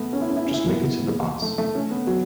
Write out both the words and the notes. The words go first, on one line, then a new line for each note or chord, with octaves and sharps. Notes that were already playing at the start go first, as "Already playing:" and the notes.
Just make it to the Meuse.
Already playing: A3 B3
C#4
E4
C#4
E4
C#4
E4
B3
A3
A3
C#4
B3
F#3